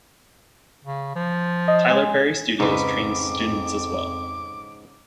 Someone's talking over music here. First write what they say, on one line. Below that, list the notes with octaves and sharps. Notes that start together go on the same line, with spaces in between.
Tyler Perry Studios trains students as well.
C#3
F3
D#5
G#3 G#5
F2 G#2 C#3 B4 D6